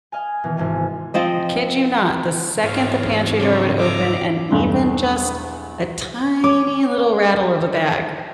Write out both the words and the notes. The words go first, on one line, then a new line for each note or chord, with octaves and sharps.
kid you not, the second the pantry door would open and even just a tiny little rattle of a bag
D#5 F5 G#5
B2 D#3 E3 B3
G#1 C3 G#5
F3 C4 D#5
E2 G#2 C4 C#5 F5
C#3 F3 C4 D4 C#5
F2 F3 E5 A#5 D6
B1 E2 G2 A3 C6
C#5 D6